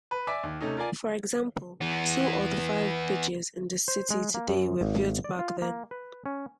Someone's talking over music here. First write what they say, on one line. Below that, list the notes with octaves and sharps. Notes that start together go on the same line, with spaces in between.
For example, two of the five bridges in the city today were built back then.
B4
D5 E5 G#5 D6 B6
D#2
C3 A3 C#4 D#4
F4 A#4 D5 G#5
E3 B3
C5
G#3
A#3
F#2
G#1
D5
F4
A#3
B4
C#4